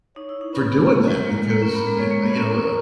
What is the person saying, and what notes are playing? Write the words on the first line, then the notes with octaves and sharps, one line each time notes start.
for doing that because, uh uh you know a a
D#4 C#5
E4
D#4
C#4 B4
B3
B3
A#3 A#4
G#3
A#3
G#3
A#3
C#4 A#4
B3
G#3
G#3 C#5
A#3
B3
C#4 A#4